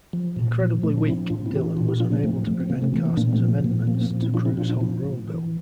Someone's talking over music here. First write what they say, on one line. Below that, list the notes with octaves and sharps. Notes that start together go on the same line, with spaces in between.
"Incredibly weak" Dillon was unable to prevent Carson's amendments to Crewe's Home Rule bill.
F3
A#2
F3
A#2 A3
D4
F3 C4 E4
A2 D4 F4
C4 E4
E3 G4
D4 F4
A#2 D4 F4
E4 G4
F3 D4 F4
A#3 D4
A2 A3 C4
F3 A3
C4
C3 A#3
A3 C4
E3 A3
A#3
A#2 A#3 D4
A3 C4
F3
A#3
A#2 A#3
F3 A#3
C4
A#3
A#2
C4 E4
F3 D4 F4
C4 E4
A#2 D4 F4
D4 F4
F3 C4 E4
A2
E3